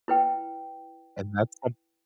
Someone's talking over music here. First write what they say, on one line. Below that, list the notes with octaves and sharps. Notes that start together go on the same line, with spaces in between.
and that's some
E4 B4 G5